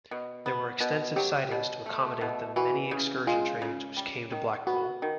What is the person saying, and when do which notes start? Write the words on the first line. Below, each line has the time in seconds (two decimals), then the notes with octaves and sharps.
There were extensive sidings to accommodate the many excursion trains which came to Blackpool.
0.11 B2
0.46 B3
0.80 B2
1.16 F#3 G4
1.51 B2
1.86 A3
2.21 B2
2.56 E3 F#4
2.91 C#3
3.27 G#3 F4
3.62 C#3
3.97 G3
4.32 D#3
4.67 B3 F#4
5.02 D#3